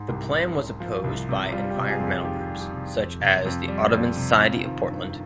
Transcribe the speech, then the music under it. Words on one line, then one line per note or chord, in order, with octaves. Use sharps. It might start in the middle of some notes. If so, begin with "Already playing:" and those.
The plan was opposed by environmental groups, such as the Audubon Society of Portland.
Already playing: G#2
C2 G4
C3
C2
F3
C2
C3
G3 F4
G4
C3
F4 G#4
F2
G4
D#3 G4
G3
G4
C3
F2
C3
F2
G3
F2
C3
C4 F4
D#3 F4
G2